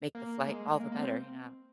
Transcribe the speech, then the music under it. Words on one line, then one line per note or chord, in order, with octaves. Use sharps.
make the flight all the better, you know?
A#3
A#3
G#3
A#3
A#3
C4